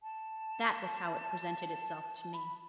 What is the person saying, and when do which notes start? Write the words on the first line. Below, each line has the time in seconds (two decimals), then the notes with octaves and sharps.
That was how it presented itself to me.
0.03 A5
2.33 B5